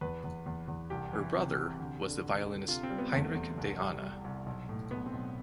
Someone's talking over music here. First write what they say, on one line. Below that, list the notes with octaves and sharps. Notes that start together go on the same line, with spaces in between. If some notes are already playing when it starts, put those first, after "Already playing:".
Her brother was the violinist Heinrich de Ahna.
E2 B4
E2
E2
E2
C2 G4
E3
C3
C3
D2
D3
D2
D3
C3 F4
C4
G3
B3
E2 A3
E2
C2
G3
G3
C2
B1
A2
B1 B3
C4
B1